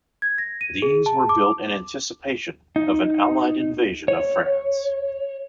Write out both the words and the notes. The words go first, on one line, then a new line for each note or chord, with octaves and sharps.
These were built in anticipation of an Allied invasion of France.
G#6
A#6
D#7
G#4
A5
D6
D#4
C#5